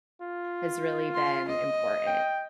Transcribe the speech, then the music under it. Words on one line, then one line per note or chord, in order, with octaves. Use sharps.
has really been important.
F4
C6
D#5
G5